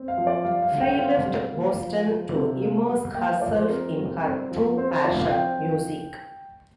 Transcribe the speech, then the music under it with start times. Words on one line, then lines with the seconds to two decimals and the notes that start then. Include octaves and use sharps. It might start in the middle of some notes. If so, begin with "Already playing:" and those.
Free left Boston to immerse herself in her true passion: music.
Already playing: C4
0.08 F5
0.18 F3
0.27 D5
0.45 G3 F5
0.62 F5
0.72 D3
0.81 G5
0.91 G5
0.99 C4 F5
1.25 G3
1.53 A#3
1.80 F3
2.07 F3
2.33 C3
2.62 A#3
2.88 G3
3.15 A#3 G5
3.28 F5
3.42 F3 D5
3.56 C5
3.69 C4 A#4
3.97 G3
4.24 C4
4.51 F3
4.77 C4 C5
4.91 C5
5.04 F3 D5
5.18 F5
5.31 C4 G5
5.58 F3